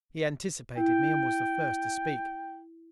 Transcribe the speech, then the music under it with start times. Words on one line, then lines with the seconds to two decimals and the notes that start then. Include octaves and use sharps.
He anticipated me, and was the first to speak.
0.77 E4 G5